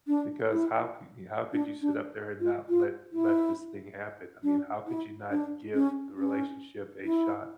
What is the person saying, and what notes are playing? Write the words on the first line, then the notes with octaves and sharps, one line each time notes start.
because how could how could you sit up there and not let let this thing happen? I mean, how could you not give the relationship a shot?
D4
E4
D4
D4
F4
F4
E4
D4
E4
D4
C#4
C#4
E4